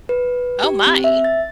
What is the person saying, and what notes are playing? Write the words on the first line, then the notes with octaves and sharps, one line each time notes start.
Oh my!
B4
G4
C4
E5
A6